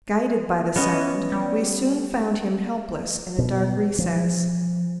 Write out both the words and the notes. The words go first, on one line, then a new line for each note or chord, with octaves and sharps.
Guided by the sound, we soon found him helpless in a dark recess.
B3 C#4 D#5
G3
B2
F3